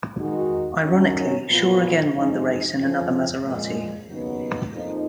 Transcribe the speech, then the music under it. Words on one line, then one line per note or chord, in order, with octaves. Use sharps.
Ironically, Shaw again won the race in another Maserati.
D#3 G#3 D#4 F#4
F#2 D#3 F#3 C#4
A#2 F3 B3 F4
F3 G#3 D#4
F2 C#3 F3
A#2 F3 G#3
D#2 C#3 F#3 B3 D#4
F2 F3 A#3 D#4